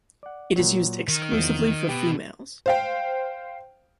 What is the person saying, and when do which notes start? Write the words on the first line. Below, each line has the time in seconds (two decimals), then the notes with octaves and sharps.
It is used exclusively for females.
0.23 D5 F#5
0.56 A#2 F#3
1.08 D#3
1.32 E2 F3
1.89 B2 G4
2.66 C5 F5 G5